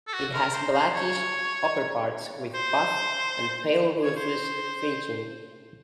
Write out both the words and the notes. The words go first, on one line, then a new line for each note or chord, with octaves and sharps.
It has blackish upperparts with buff and pale rufous fringing.
A4
F#4
A#4
C5
C5
C#5
C5
C#5
C5